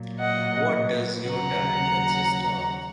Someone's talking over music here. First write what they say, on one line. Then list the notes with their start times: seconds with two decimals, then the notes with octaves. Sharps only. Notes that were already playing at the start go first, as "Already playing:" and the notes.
What does your diet consist of?
Already playing: A#2 F#3
0.19 D#5 F#5
1.28 D#2 C#3 F#3 F#5 A#5